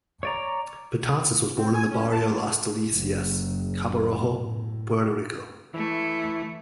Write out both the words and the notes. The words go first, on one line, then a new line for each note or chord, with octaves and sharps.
Betances was born in the "Barrio" Las Delicias, Cabo Rojo, Puerto Rico.
C#5 D5 A#5
C4
G#5
C#4
A5
F#3
F#1
A2
E3 A3